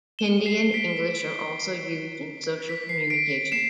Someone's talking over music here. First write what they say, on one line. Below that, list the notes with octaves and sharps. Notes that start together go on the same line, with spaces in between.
Hindi and English are also used in social communication.
E7 G7
C7 E7
B6 D7
B6
C7
B6 D7
C7 E7